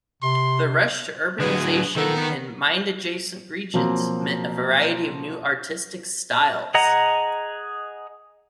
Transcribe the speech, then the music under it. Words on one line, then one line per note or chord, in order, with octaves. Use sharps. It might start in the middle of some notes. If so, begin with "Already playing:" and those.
The rush to urbanization in mine-adjacent regions meant a variety of new artistic styles.
C3 C6
D3 F#3 B3 G#4 B4
D#3 F3 B3 A4 A#4
B3
B2 F3 F#3 A#3 C4
G#4 D#5 F#5 A#5